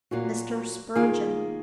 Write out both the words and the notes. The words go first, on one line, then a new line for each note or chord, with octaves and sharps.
Mr. Spurgeon.
A#2 F#3 A#3 F4 F#4
D#3 A#3 F4 G#4